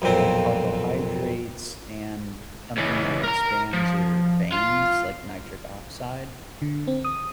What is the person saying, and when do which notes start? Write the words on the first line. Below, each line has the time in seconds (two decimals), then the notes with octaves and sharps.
like, carbohydrates and something that expands your veins, like, nitric oxide,
0.02 B1 F2 A#2 C4
2.77 C#2 E3
3.23 A#4 A#5
3.73 F3
4.52 F4
6.62 D3
6.87 C4
7.04 D#6